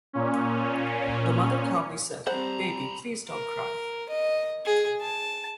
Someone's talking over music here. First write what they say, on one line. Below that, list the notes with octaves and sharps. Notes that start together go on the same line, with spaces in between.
The mother calmly said: "Baby please don't cry."
A#2 C#4
G3 C4 C5 F#5 A#5 B5
A#4
D#5
G#4
A5